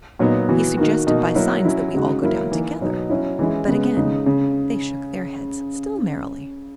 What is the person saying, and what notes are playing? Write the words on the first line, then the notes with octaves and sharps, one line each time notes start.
He suggested, by signs, that we all go down together; but again they shook their heads, still merrily.
A#2 F#3 B3 D#4
E3 B3 F#4
D#3 A#3 D#4 F#4
B2 A#3 D#4 F#4
F#3 A#3 E4
F#3 C#4 E4
C#3 G#3 D#4 F#4
F#3 A#3 E4
E3 A#3 D#4
B2 F#3 B3 D#4
F#3 C#4 E4
E3 G#3 C#4 E4
C#3 G#3 B3
C#3 G#3 D#4
C#3